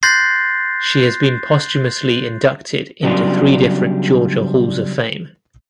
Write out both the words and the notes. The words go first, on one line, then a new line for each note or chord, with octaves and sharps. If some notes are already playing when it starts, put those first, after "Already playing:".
She has been posthumously inducted into three different Georgia halls of fame.
C6 F#6 G6 A6 A#6 C7
C#3 F#3 G3 B3 D4 F4